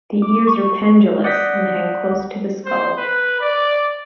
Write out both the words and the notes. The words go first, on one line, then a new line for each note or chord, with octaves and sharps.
The ears are pendulous and hang close to the skull.
D6
C#6
D5 F#5 D#6 G6 A#6 B6
C5
B4
D5